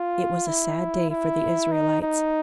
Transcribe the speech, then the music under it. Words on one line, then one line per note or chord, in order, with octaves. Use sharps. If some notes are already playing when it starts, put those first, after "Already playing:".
It was a sad day for the Israelites.
Already playing: F4
E4
E4
D#4
D#4